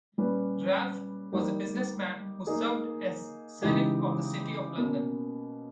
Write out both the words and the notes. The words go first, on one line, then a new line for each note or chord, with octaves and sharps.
Ralph was a businessman who served as Sheriff of the City of London.
A#2 G3 C#4 G4 B4
G3 A#3 D#4 G4 A#4
A#3 D#4 G#4
C#3 E3 G#3 D#4 G4
B2 A#3 C#4